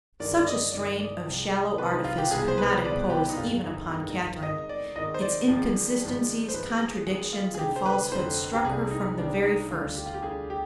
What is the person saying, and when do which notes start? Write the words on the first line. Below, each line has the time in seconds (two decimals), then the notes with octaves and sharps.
Such a strain of shallow artifice could not impose even upon Catherine. Its inconsistencies, contradictions, and falsehood struck her from the very first.
0.20 G1 G2 D#3 G#3 D5
0.40 D5
0.46 D#5
0.73 G1 G2 D#3 G#3 D5
1.00 D5
1.26 C2 C3 F3 G#3
1.78 C2 C3 F3 G#3 B4
1.92 D#4
2.04 F4
2.18 G4
2.31 C2 B2 G#3 G#4
2.48 C5
2.58 B4
2.84 C2 B2 G#3 D5
3.10 G4
3.29 D#4
3.37 G1 F2 D#3 G#3 F4
3.63 D#4
3.89 G1 F2 D#3 G#3 D#4
4.09 D#4
4.16 F4
4.43 G#1 G#2 D#3 D#5
4.69 D5
4.96 G#1 G#2 D#3 D#5
5.14 C5
5.22 D5
5.47 G#1 G#2 F3 G#3
6.01 G#1 G#2 F3 G#3
6.48 C5
6.54 G#1 G#2 F3 G#3 B4
6.80 G#4
7.06 G#1 G#2 F3 G#3 G#4
7.33 F4
7.54 G#4
7.59 F1 F2 D3 G4
7.76 C5
7.86 B4
8.12 F1 F2 D3 C5
8.53 G4
8.64 C2 C3 G3 G#4
8.91 D#4
9.18 C2 C3 G3 D4
9.43 D#4
9.71 D2 D3 G3 F4
9.97 G4
10.06 F4
10.14 G4
10.23 D2 D3 G3 G#4
10.50 G4